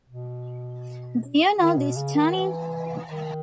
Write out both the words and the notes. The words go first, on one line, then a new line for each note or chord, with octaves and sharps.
Do you know this turning?
B2
D#3
B2
C#3
D#3
E3
D#3